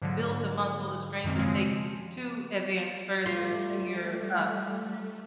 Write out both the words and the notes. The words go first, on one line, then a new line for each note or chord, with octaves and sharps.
build the muscle, the strength it takes to advance further in your, uh, dance pole
G#2 D3 F3 F#3
F#2 B2 D#3 G#3 A#3 C4
C#3 F3 G#3 C4
G3 A3 F4